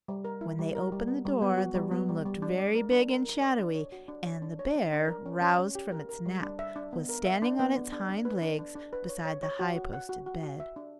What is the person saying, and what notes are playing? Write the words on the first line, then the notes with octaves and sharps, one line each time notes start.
When they opened the door the room looked very big and shadowy, and the bear, roused from its nap, was standing on its hind legs beside the high-posted bed.
G3
A#4
E4
G3
A#4
G3
B3
G3
B3
F#4
G3
B3
G3
G3
D4
D5
A#4
D4
A#4
A#4
D5
D4
C#5
F#4
D4
C#5
D4
C#5
D4
D4
A#4
C#4
C#4
C#4
G4
A#4
A#4
G3
D4
E5
D4
B3
A#4
E5
D4
B3
D4
D4
D4
B4
D4
D4
D4
B4
C#5
C#5
C#5
F#4
F#4
F#5
F#4
F#4
F#4
E5
D4